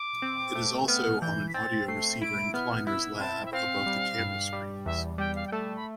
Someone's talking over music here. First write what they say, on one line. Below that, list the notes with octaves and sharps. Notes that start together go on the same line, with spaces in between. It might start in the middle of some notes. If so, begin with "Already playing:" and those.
It is also on an audio receiver in Kleiner's lab, above the camera screens.
Already playing: D6
C4
A3
B3 F6
E3 G6
B6
C4 A6
A3 C7
E4 D7
B3 F6
E4 E6
C4 A5
E5
C4 F5
G3
G2
G3
E2 E5
G3 G5
F5
G5
A3 A5
B5